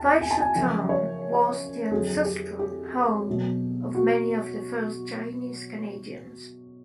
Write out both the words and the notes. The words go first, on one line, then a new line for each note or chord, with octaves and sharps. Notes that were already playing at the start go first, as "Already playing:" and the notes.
Baisha town was the ancestral home of many of the first Chinese Canadians.
Already playing: E2 C3 G5 A5
G#5
A5
G#5
F#2 C#3 F3 G5
C#5
F2 D3 F#3 G#4
G4
G4
B2 F#3
F#4